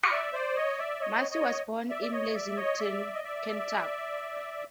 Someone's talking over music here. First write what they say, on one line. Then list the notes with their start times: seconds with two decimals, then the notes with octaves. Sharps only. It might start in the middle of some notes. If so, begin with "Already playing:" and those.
Massie was born in Lexington, Kentucky.
0.11 D5 E5
0.34 C5 D5
0.56 C#5 D#5
0.79 D5 E5
1.01 C#5 D#5
1.31 C#5 D#5
1.90 D5 E5
2.02 D5
2.12 C#5 D#5
2.34 D5 E5
2.57 C#5 D#5
2.79 D5 E5
3.14 D#5
3.24 D5 E5